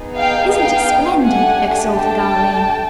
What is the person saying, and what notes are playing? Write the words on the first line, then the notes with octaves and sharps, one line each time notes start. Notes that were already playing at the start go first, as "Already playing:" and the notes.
"Isn't it splendid!" exulted Arline.
Already playing: B3 D#4 G#4
F5 G5
F5 G5
A3 D4 G4 F#5 G#5
G5 A5